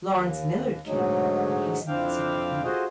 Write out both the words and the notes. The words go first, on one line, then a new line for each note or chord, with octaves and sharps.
Lawrence Millard came in and hastened to the side of Enid.
D#2
G#2 D3 F#3 G#3 A3 D#4
F2 C4 D4 E4 F5 G5
F4 F#4 G#4 A4 C5 D#5